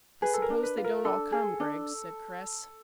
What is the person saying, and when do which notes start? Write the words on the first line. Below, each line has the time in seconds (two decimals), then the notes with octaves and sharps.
"But suppose they don't all come, Griggs?" said Chris.
0.22 G#4 B4
0.34 A4
0.42 A#4
0.50 D4
0.63 B4
0.77 F4
0.84 A#4
1.05 D4 A4
1.32 G#4
1.60 D4